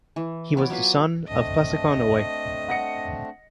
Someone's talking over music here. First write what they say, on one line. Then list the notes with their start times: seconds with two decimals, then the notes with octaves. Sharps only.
He was the son of Passaconaway.
0.16 E3
0.57 B3 C#5 D5
0.70 F#3 B3 F4 B4
1.28 A3 C4 D4 D#5
2.68 F#5 A#6 C#7